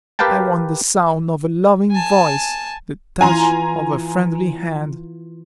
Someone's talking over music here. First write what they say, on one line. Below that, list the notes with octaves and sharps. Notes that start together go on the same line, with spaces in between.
"I want the sound of a loving voice; the touch of a friendly hand."
G4 A#4 B4 F5 G5 A5
G#5 A5
E3 F4 G#5 A#5 C6